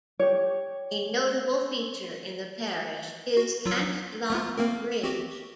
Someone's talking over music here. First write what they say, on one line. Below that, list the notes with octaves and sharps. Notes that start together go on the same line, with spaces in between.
A notable feature in the parish is Cantlop Bridge.
G4 C#5
F#4
F#3 F4 E6
A3 B3 F4
A#3 C4 A#4
C4 F#4 G4